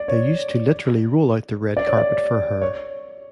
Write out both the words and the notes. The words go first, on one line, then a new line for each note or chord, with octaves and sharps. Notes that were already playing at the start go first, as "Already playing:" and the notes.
They used to literally roll out the red carpet for her.
Already playing: D5
C#5
D5
C#5
D5
C#5